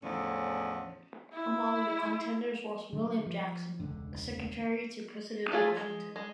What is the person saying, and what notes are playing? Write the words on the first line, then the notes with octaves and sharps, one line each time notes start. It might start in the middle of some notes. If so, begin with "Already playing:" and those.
Among the contenders was William Jackson, a secretary to President Washington.
E2 A2 D3 F3 C#4
E4
D3 F#3
F3
E1 C#2 D3
A3 F4 G#4
G#3
G#3